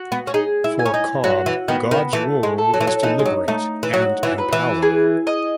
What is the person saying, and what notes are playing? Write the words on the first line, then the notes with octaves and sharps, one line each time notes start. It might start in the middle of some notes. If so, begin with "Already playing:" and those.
For Cobb, God's role is to liberate and empower.
Already playing: F#4
B3
C#4
D#4 G#4
E4
G#5
C#4
D#4
F#3 F#4
E3
D#3 B3
D#3
E3 A3
G#3
A4
F#3
E3
F#3
E3 D#4
G#3
F#3
A3 D#4
E3
F#3 F#4
E3
B4
E3
G#4
D#5